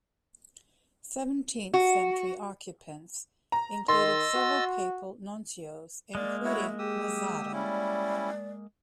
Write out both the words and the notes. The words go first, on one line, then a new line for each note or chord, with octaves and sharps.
Seventeenth-century occupants included several papal nuncios, including Mazarin.
F#4
A#5
D#3 D#5 C6 E6 A6
F#4
G#3 A#3 D5
E4 F#4 C#5 E5
G4 G#4 D#6 E6
G3 C#4 E4 D5